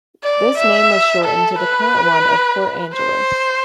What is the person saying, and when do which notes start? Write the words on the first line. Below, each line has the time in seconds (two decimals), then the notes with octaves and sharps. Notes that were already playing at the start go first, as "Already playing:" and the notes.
This name was shortened to the current one of Port Angeles.
0.24 D5
0.58 E5
1.24 A4
1.59 B4
2.93 C5